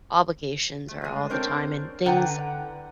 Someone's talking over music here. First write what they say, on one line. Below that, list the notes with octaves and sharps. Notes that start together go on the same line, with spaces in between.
Obligations are all the time, and things
A3
G#3 A3
C4 D4 A#4 C5 C#5
D3 E4 B4 F#5 G5 A#5